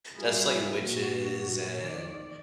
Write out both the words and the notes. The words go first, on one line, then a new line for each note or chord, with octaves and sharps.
just like witches and
G3 E4 F#4 G#4 A#4
A#2 F#4
D#3 D5